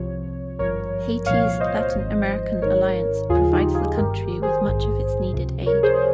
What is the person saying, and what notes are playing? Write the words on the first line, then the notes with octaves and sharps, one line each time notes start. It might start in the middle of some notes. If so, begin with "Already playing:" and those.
Haiti's Latin American alliance provides the country with much of its needed aid.
Already playing: C2 C3 F3 C#5
G#1 G2 F3 A#4 C#5
C2 A#2 F3 C#5 F5
C5 D#5
G#1 G#2 F3
G#1 G#2 D#3 A#4 C#5
D#2 C#3 F3 F4 G#4
D#4 G4
F4 G#4
G1 G2 D#3 G4 A#4
G#4 C5
A#1 G#2 D#3
C#2 C3 F3
A#4 C#5
G#4 C5